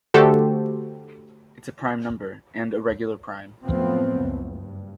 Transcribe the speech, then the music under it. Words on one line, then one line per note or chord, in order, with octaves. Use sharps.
It is a prime number, and a regular prime.
D3 A3 F#4 G4 A4 C5
F#2 A2 F3 A3 B3 C4
F#1 C#2
G2